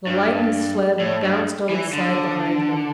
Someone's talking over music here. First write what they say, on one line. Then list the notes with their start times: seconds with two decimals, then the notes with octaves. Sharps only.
The lightened sled bounded on its side behind them.
0.07 G2
0.99 A2
1.23 G2
1.69 E3
1.93 D3